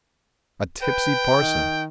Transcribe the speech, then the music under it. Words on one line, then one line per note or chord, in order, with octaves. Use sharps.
"A tipsy parson."
B4 G5
D#3